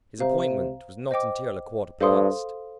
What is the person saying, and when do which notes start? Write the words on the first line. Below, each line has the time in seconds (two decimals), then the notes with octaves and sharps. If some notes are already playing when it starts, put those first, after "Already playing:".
His appointment was not until a quarter past.
0.20 C3 C5 F5 A#5
1.11 C5 D#5 G5 D6
2.00 G2 A4 C5 F5 C6 D#6